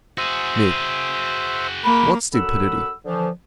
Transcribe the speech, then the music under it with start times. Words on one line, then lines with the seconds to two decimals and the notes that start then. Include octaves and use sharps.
ME: What stupidity?
0.18 F#4 G#4 C5 E5
1.84 A#3 B5
2.34 F#2 A4 F#5 B5 E6
3.05 D3 E3 F3